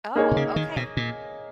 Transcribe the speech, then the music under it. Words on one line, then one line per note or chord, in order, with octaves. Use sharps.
Oh, okay.
A#3 D#4 G#4 C#5
C3
C#3
D#3
B2
A#2